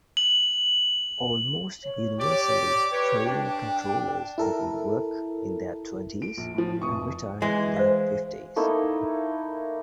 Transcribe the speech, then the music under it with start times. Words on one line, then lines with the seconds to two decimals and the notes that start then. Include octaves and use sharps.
Almost universally, trainee controllers begin work in their twenties and retire in their fifties.
0.17 F#7
1.84 C#5
2.20 G4 D5
2.92 G4 B4 C#5
3.25 D4 G5
4.38 E4 A4 A#4
6.22 D7
6.37 A#1
6.55 A2 F3
6.80 F1 C#6 D#6
7.42 E3 G#3
7.76 C5 F5
8.56 A3 A#3 D#4 E4